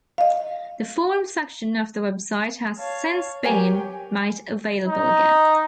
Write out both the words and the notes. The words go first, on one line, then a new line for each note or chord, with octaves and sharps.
The Forum section of the website has since been made available again.
D#5 F5
C#5 F5 A5
F#3 G4 A#4 C#5 G#5
D#4